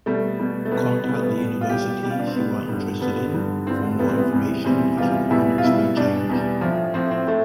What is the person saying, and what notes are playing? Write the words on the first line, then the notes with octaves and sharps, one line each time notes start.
Contact the universities you are interested in for more information as requirements may change.
B2 G3 A3
B2 G3
A3
B2 G3 B3
B2 G3 B3
A3
B3
B2 G3
F4
B2 G3 G4
B2 G3 G4
F4
D4
C4
B2 G3 B3
G2 D3 G3
G2 D3 G3 B3
G2 D3 G3
G2 D3 G3 C4
E2 C3 E3 G3 B3
C4
B3
E2 C3 E3 G3
E2 C3 E3 G3 C4
E2 C3 E3 G3 F4
E2 B2 G3 E4
F4
E2 B2 G3 E4
E2 B2 G3 D4
E2 B2 G3
A2 F3
A2 F3 C4
C4
A2 A3